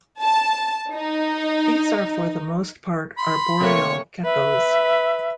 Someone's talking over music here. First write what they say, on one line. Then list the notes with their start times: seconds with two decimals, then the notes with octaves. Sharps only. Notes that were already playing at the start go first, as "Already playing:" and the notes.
These are for the most part arboreal geckos.
0.22 A5
0.94 D#4
3.18 B5 C6
3.60 C3 A3 A#3 C#5 C#6
4.25 B4 E5